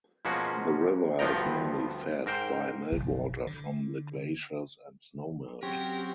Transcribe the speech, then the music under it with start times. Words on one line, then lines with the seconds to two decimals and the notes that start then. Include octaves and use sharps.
The river is mainly fed by meltwater from the glaciers and snowmelt.
0.25 B2 F3 G#3 A#3 C#4 F#4
1.19 D2 G2 F3 B3 G5 A#5
2.26 G#2 A#4 C5 G5
2.92 F#1 B1 F3
3.47 D3
5.63 F#3 C4 C#4 G4 A#4